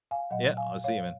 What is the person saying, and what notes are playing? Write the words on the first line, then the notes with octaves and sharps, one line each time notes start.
Yeah, I'll see you, man.
F5 G#5
A#2 F#3 D#5 F#5
F5 G#5
C#5 F5